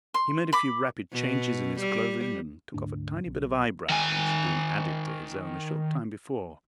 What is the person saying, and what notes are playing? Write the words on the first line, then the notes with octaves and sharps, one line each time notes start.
He made a few rapid changes in his clothing and took off a tiny bit of eyebrow, which had been added to his own a short time before.
C6
B5 D6
B2
G3
D2 G#2 D4
B1
D#3 G#5